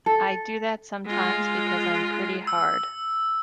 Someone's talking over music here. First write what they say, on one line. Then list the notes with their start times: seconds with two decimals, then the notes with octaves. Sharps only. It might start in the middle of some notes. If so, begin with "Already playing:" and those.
I do that sometimes because I'm pretty hard.
0.06 A4
1.06 G#3 F4
2.47 E6